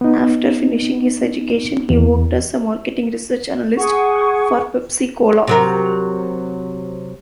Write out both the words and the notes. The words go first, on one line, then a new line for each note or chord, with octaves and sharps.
After finishing his education, he worked as a marketing research analyst for Pepsi Cola.
B3 D#4
E2
G#4 F#5 C#6
C3 F#3 A#4